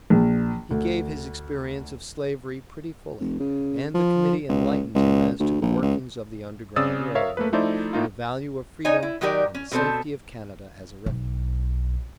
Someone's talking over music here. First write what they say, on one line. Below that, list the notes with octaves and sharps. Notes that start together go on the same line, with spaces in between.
He gave his experience of Slavery pretty fully, and the Committee enlightened him as to the workings of the Underground Rail Road, the value of freedom, and the safety of Canada as a refuge.
A#1
D2
F1
C#3
F3
C#2
C#2
D2
A#1
C#2
C#3 C4 D5 D#6 E6 A6
A#4 C#5 E5 F5
A3 A#3 B4
F3 A3 D#4 E4 C5 D5
A2 A#3 D#4 F4
D#4 C#5 D#5 G#5
E4
D#3 F#3 D#4 G4 A#4 D5
C#4
B2 C4 A4 C5 A5
B1